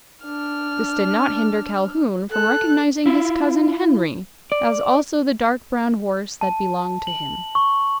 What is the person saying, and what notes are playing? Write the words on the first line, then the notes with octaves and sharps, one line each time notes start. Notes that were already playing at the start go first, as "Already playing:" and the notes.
This did not hinder Calhoun from recognising his cousin Henry, as also the dark brown horse that belonged to him.
D4 F6
A4 F#6
E4 F4
D5
A5
F#7
C#6